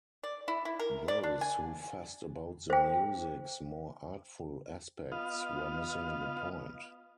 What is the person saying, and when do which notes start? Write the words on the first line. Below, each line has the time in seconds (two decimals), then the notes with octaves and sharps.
Those who fussed about the music's more artful aspects were missing the point.
0.23 D5
0.48 E4
0.65 E4
0.79 A#4
1.08 D5
1.23 D4
1.41 G#5
2.70 C5 G5
5.12 B3 F4 D#5 F5